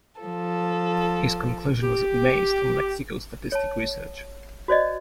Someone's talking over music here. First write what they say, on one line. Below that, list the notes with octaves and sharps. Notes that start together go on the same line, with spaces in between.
His conclusion was based on lexicostatistic research.
F3 A4
G4
C#5 A5
F#4 C5 D5 D#5